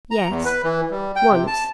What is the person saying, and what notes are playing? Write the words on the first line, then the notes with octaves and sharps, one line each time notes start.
"Yes, once."
A#5
E2
B4
E3
G3
G5
C3
A5